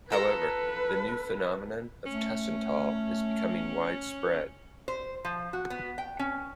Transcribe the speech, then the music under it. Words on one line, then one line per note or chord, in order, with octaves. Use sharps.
However, the new phenomenon of tussentaal is becoming widespread.
F4 A4 B4 A#5
A3 C#4
C5
F3
F#4
B3
G5
C#4